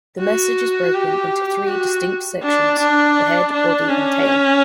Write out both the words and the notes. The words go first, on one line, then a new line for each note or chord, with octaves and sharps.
The message is broken into three distinct sections: the head, body and tail.
F#4
G4
F#4
D4
D4
D4
C#4